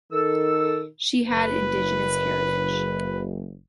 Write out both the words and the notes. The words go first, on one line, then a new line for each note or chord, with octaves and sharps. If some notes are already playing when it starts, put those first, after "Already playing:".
She has indigenous heritage.
D#3 A4 E6
F#1 B4